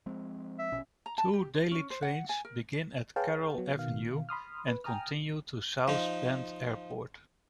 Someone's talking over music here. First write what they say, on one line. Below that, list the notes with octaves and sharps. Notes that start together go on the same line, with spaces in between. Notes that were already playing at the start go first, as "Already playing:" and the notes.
Two daily trains begin at Carroll Avenue and continue to South Bend Airport.
F3 G#3 C4
E5
A#1 B2 C#4
A#5
A5
G4
C5
C#4
C5
F#5
G#5
A#4
G#4 B4 C#5 F5 G5 A5
F#3 B3
B2 D#3 F5
B5 C6 D#6 F6
B4
G5 G#5 A#5 D#6 F6
F3 D#4